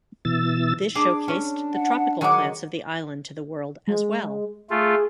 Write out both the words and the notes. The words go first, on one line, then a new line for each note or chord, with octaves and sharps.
This showcased the tropical plants of the island to the world as well.
B2 E3 E6 A6
D4 G#4 D6
C#4
F#5
D#3 F#3 G#3 F#5 G#5 D6
G#3
A3 F4 G#4